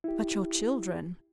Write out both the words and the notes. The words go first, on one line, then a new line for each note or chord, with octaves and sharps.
"But your children?"
E4 G4